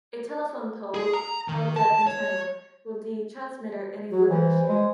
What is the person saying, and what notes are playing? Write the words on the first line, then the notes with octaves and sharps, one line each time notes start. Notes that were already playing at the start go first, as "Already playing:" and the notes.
A telephone pole held the antenna, with the transmitter in a wooden shed.
G#4
A#5
D#3
A5
C#5
F#3 F#4
E3 C5
G#3